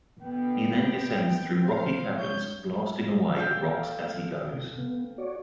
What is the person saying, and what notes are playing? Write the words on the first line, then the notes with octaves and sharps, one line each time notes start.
He then descends through rocky caverns blasting away the rocks as he goes.
B2 D3 B3 G5
C5 F5
G2 C#5 G6
A4 F5 G5
C3
B3
F#4 C#5 D5